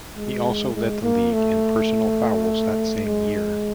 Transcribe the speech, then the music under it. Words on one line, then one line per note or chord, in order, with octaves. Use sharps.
He also led the league in personal fouls that same year.
G#3
G#3
A#3
A3
G#3